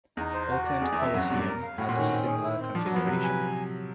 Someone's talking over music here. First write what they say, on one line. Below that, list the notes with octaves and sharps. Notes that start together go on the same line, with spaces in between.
Oakland Coliseum has a similar configuration.
E2 D#4
C5
F#4
D5
F2 G#4
E2
F2 E5
F#2 F#4
G2 D5
A#4
F5
A2 F#4
A#2
D#3 C#4
C4
G#4
E4
C4
F3 D4
F#3
F3 B3
C3 B4
G#5